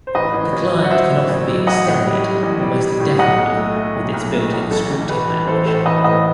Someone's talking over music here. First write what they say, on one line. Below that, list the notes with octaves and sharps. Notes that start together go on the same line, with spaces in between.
The client can often be extended almost indefinitely with its built-in scripting language.
C5
A1 B4 D#5
A1
A1
F#3
F#5
F#3 C5 E5
A1
A1
F#3
A1 D#5 F#5
A2
G3
G3
A1
G3
G3
A2
B1 D#5 F#5
B1
A3
A3
B1
B1
A3
B1
A1 A4
A1
A1 B4
E3
E3 A4 C5
A2 A4 C5
E3 B4 D#5
A2 B4 D#5